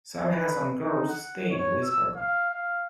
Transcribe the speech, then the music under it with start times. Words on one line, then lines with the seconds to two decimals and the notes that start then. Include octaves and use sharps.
Sallie has some girls staying with her.
0.33 B4
0.79 D#4
1.08 F#5
1.51 C#5
1.83 E6
2.16 F5
2.50 F5